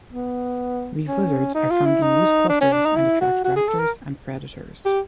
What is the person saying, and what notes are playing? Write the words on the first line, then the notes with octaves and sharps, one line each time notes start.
These lizards are found in loose clusters and attract raptors and predators.
B3
C#4
D#4
F4
E4
D#4
D4
C#4
D4
D#4
E4
F#4
F#4
G#4
A4
A#4
G4